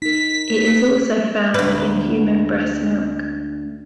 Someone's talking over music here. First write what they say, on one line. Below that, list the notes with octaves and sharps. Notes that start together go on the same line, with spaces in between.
It is also found in human breast milk.
D#4 A#4 B6
D2 B4